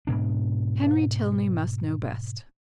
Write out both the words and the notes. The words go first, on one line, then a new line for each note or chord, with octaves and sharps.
Henry Tilney must know best.
G#2 B2 D4